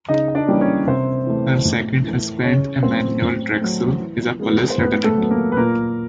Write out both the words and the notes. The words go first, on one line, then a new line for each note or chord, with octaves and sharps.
Her second husband, Emmanuel Traxel, is a police lieutenant.
C#3 D#4 D#5
D#5
D4 D5
E3 G3 A#3 C#4
C#4 C#5
C3 C4 C5
E3 A3
A2
E3 A3
C#3 C#4 C#5
F#3 A3 C4 C5
A2
F#3 A3
E3
G#3 B3
C5
A2 B3 B4
A3 A4
F#3 B3
A#3 A#4
B4
A#2 A#3 A#4